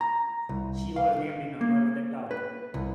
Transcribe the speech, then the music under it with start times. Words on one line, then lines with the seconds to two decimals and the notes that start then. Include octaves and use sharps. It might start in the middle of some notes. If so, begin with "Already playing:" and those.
She was named in honour of the town.
0.01 A#5
0.49 C2
0.96 F5
1.61 A#3
2.31 B4
2.74 C2